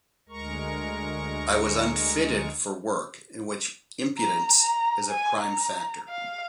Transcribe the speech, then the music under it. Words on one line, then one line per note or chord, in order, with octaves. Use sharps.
I was unfitted for work in which impudence is a prime factor.
D2 G#3 A#4 A#5 C#6
A#5
A#5
G#5
A#5
F5